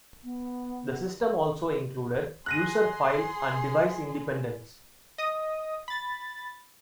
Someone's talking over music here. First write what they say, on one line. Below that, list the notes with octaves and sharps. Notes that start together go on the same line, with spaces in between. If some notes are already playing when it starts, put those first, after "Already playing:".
The system also included User file and Device independence.
B3
G#4 C6 F#6 A#6 D#7
D#5 D#6
B5 A6